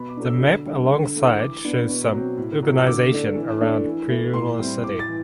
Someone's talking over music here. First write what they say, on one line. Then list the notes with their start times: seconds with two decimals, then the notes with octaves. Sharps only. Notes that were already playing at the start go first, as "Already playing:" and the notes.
The map alongside shows some urbanization around Purulia city.
Already playing: B2 B5
0.09 D6
0.17 F#3 A3 D4
0.26 E6
0.41 D3
0.66 G3 D4
0.91 D3
1.16 A3 E4
1.39 E3 D6
1.65 B3 D4
1.89 B2
2.13 F#3 C4
2.37 A2
2.62 F#3 C4
2.78 E6
2.87 D3 D6
3.11 A3 D4
3.35 E3
3.61 A3 D4
3.86 E3
4.09 A3 E4
4.34 A2 C6
4.59 G3 C4 E4
4.83 A2 D6
4.99 A6
5.08 E3